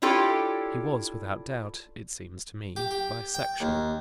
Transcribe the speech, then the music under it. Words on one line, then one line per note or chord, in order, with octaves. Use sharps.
He was without doubt, it seems to me, bisexual.
D4 E4 F4 G4 A4 C#5
G4
G4
G5
D#2